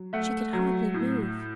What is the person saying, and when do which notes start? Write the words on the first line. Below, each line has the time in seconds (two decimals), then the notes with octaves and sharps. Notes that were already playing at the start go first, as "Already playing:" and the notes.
She could hardly move.
Already playing: F#3
0.13 A3 E5 F#5
0.53 F#3
0.94 A2